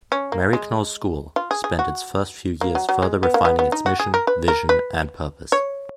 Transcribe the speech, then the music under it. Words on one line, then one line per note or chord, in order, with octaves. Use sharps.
Maryknoll School spent its first few years further refining its mission, vision and purpose.
C#4
A#3
G#3
F4
G#4
G#4
F#4
A#3
F#3
F#3
G#3
B3
A#3
B3
B3
D#4
F#4
G#4
A#4
B4
A#4
B4
C#5